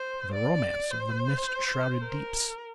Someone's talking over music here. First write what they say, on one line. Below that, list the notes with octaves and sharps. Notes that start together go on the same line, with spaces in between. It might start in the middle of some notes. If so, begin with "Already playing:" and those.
The romance of the mist-shrouded deeps.
Already playing: C5
D5
C5
A#4